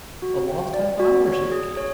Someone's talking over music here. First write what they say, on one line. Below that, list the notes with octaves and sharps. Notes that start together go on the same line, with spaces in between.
"A lost half-hour?" said the King.
F#4
G5
D5
F#4
C#5
G#4
C#5